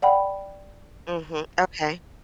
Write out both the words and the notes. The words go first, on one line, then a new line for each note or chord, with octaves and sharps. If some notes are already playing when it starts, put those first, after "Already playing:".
Mhm, okay.
D5 F#5 G5 B5